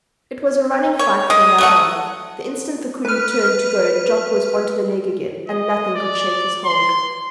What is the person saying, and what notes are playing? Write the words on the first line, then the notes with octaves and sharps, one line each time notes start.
It was a running fight from that on: the instant the koodoo turned to go Jock was on to the leg again, and nothing could shake his hold.
C#5
G#3 D#6
F#3 A3 F#5
B4 F6
D#5
D5
C6